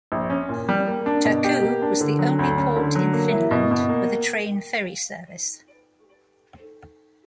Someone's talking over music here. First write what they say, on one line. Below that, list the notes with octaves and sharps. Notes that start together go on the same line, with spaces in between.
Turku was the only port in Finland with a train ferry service.
A#1
C#4
A#2
G3
A#3
D4
B2
G4
A#3
D4
D3
F#3
D2
C#4
D3
F#3
A#3
E4
B2
B2
A#3